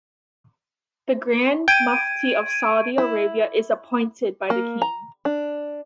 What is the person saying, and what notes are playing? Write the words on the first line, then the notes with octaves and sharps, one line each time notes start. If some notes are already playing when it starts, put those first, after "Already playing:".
The Grand Mufti of Saudi Arabia is appointed by the King.
G5 G#6 D7 D#7
E4
A#3
A#5
D4